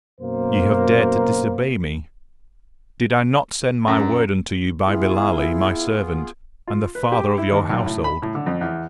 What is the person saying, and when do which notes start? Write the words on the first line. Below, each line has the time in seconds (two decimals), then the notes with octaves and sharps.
Ye have dared to disobey me. Did I not send my word unto you by Billali, my servant, and the father of your household?
0.21 F#2 B2 A#3 A#4 C5
3.88 F#2
4.86 B3 E4 F4 G#4
6.68 F4
6.95 B4
7.12 G4
7.38 E4
7.52 D#2
7.69 B1
7.86 A2
8.04 B5
8.22 A2
8.35 D3
8.46 F2
8.61 E2